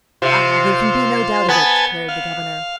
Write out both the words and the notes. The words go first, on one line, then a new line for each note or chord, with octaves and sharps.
"Ah! there can be no doubt of it," declared the governor.
C3 F4 C5
B3 B4 G#5 A5
F5